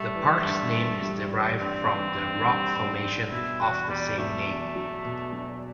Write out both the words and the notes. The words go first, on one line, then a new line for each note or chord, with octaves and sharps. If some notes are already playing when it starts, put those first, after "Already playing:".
The park's name is derived from the rock formation of the same name.
Already playing: G3 A3
E3
G2
E3
G3
E3
G2 C4
E3
G2
G3
G2
G2
B2 E4
E2 F#4
E2 G3
F#3 A3
E2
F#3
B2
F#3